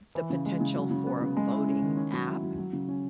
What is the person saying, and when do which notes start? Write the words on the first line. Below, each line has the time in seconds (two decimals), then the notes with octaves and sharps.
the potential for a voting app,
0.15 E3
0.30 C#3
0.46 G#3
0.61 C#3
0.76 F#3
0.91 C#3
1.07 B3
1.21 C#3
1.37 G#3
1.51 E4
1.67 C#4
1.82 D#3
1.97 C#4
2.12 F#3
2.27 E4
2.43 F#3
2.58 F#3
2.73 C#3
2.88 C#4